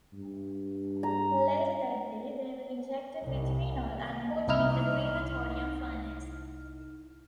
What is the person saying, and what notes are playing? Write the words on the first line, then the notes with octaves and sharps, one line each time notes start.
Later that day, they were injected with phenol and put in the crematorium furnace.
G2
A#5
C2
C2 D#4 E4 F6